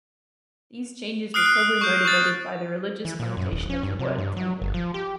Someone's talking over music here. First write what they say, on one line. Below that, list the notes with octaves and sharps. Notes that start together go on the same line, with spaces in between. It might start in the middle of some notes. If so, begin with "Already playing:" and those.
These changes were probably motivated by the religious connotation of the word "temple".
D#6 F6 F#6 C7 D7
F#6
C#6 G6
C#6 D#6 A6
E3
A#2
F#2
D#1
C#4
G2
C3
G2
F#3
G1
F3
G4